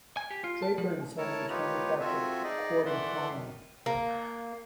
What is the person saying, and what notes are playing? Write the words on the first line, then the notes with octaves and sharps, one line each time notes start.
Draper and Sons which manufactured cord and twine.
G#5
G4
F4
A5
F3
E4 A4 A#4 C#5 A5
D#4 F4 G4 B4 C#5
C4 F4 F#4 A4 E5 G#5
D#4 G#4 D5 D#5
E3 A3 D5 E5 F#5 C6
F#2 D#3
A#3